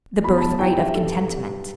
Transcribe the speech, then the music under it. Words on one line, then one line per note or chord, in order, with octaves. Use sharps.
The birthright of contentment.
E2 B5
B5
A5
E3 G3 G5
E5
G2 A4
G3